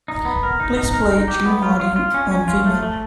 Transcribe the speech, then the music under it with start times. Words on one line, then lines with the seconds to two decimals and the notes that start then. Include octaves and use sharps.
Please play Jim Martin on Vimeo.
0.08 D#4
0.25 B3
0.43 A#4
0.60 D#4
0.77 D#4
0.93 A#4
1.11 D#4
1.28 G4
1.46 B3
1.63 F4
1.80 F4
1.96 F4
2.14 C#4
2.31 C#4
2.48 F4
2.66 A3
2.82 A3